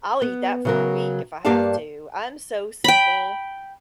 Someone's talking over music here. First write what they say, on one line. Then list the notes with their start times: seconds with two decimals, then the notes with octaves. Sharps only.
I'll eat that for a week if I have to. I'm so simple,
0.22 B3
0.65 C#3 F#3 A#4
1.45 G2 A#3 G4 D5 F5 A5
2.84 G5 B5